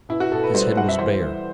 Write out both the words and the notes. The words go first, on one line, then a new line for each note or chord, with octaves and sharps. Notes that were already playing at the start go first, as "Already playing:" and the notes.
His head was bare.
B2 E4
F#4
B2 A4
B4
G3 C5
G3 F#5
E5
E3 C5
E3